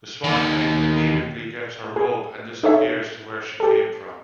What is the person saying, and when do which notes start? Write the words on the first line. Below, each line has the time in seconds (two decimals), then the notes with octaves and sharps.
The swan maiden immediately gets her robe and disappears to where she came from.
0.24 D#2 D#3
1.96 G#4
2.63 D#4 A4 C#5 E5
3.60 G4 A4